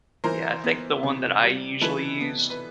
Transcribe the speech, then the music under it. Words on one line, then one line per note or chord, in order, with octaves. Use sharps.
Yeah. I think the one that I usually used,
E3 A#4 C5
B3
C3
G3
E3 A4 B4
B3
B4